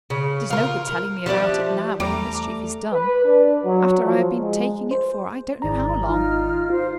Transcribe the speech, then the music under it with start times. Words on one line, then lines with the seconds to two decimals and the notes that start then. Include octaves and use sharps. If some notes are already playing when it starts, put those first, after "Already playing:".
It is no good telling me about it now, when the mischief is done,--after I have been taking it for I don't know how long.
0.10 C#3
0.50 F4 A#4
0.87 A#4
1.26 F3 G3 D4 E5
2.00 E2 G3 A3 A#5 D6
2.93 B4
3.25 D4
3.65 F#3
4.03 F3
4.37 G#3
4.91 C5
5.62 G#1 E4 G#4 D5 A#5
6.06 D#4 F4 F6
6.70 F4 C5